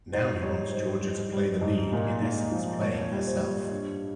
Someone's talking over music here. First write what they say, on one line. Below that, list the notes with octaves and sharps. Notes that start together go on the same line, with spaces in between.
Now he wants Georgia to play the lead, in essence playing herself.
G#2 C5
G3 C#5
G#2 C5
G3
G3
G#2
A#2
A#2
F3
A#2 C#5
G3
C5
G3
G2